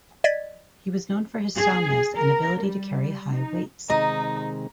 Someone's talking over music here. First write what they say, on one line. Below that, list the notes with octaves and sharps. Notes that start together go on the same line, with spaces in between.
He was known for his soundness and ability to carry high weights.
D5 D#5 G#6 A6 B6
G#4
A#4
G3
D#4
C3 D#3 G#3 D#4 D#5 A#5